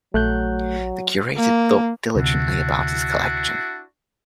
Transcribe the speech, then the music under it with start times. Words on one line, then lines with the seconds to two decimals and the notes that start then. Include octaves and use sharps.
The curator thought diligently about his collection.
0.14 A#1 F#3 A3 F#6 G6
1.37 A#3
2.15 D2 C3 D4 E4 F#4